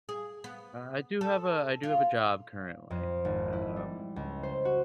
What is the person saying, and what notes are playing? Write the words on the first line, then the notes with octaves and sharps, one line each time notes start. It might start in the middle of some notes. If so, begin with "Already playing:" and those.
Uh, I do have a I do have a job, currently, um,
G#4
B3
A4
F4
F2
G#1
E4
G3
C#2
C5
F#4